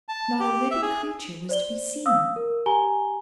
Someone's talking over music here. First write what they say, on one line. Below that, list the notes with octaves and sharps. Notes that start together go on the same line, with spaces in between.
Not a living creature was to be seen.
A5
G4
E5
G#4
C5 D5 G7
F5 D#6 E6
A#4
G4 G#5 A#5 G7